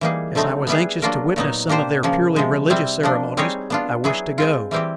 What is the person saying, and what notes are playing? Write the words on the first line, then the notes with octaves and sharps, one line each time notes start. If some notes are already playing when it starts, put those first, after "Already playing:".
As I was anxious to witness some of their purely religious ceremonies, I wished to go.
E3 G3 A#3 D#4 G#4
D3 F#3 A3 C4 D#4
G3 B3 E4 G#4 B4
F#3 A#3 D4 F4 A#4
A#2 F#3 B3 D#4
A#3 D4 G4 C5
C#3 F3 A#3
C3 F3 G#3
G3 C4 E4
F3 A#3 D4
G3 C4 D#4 G#4 C#5
B3 D4 F4
F#3 B3 E4 G#4
G#3 C4 F4
E3 G3 C4 E4 G4